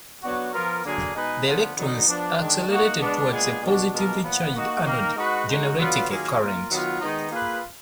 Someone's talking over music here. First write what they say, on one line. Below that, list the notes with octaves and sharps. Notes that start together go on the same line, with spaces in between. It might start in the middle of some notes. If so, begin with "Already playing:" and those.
The electrons are accelerated towards a positively charged anode, generating a current.
F#3 B3 D4 F#4
F3 B3 F4 A#4
D3 F#3 A#3 D4 G#4
B2 G#3 D#4 G#4 B4
D3 F3 B3
D3 F#3 B3 D#4
F3 B3 D4
D#3 G#3 D4
A#3 D#4 F#4
G#3 B3 D4
A#2 G#3 B3 D4 G#4
B2 G#3 D4 F#4
B2 G#3 D4 F4 A#4
A#2 F3 B3
A#3 D#4 F#4
D#3 A#3 D#4 A#4
G#3 D#4 F#4 B4
G#3 D#4 F#4
D3 F#3 B3 F4 B4
D#3 F#3 A#3 F4 G#4
A#3 F4 A#4
D#3 F#3 B3 F4
D#3 G#3 B3 D#4
A#3 F4 G#4 B4